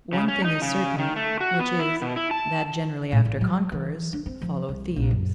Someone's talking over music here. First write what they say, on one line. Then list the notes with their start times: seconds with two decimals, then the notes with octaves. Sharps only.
One thing is certain, which is, that generally after conquerors follow thieves.
0.13 C#3
0.28 C#4
0.44 D#4
0.62 C#3
0.99 D#3
1.16 A3
1.40 F#4
1.60 B3
1.80 E4
2.02 B2
2.16 E4
2.31 A5
3.12 A2
3.25 A1
3.41 F#3
3.72 E3
4.13 D4
4.26 C4
4.42 F3
4.69 C2
4.96 A#1
5.11 F#2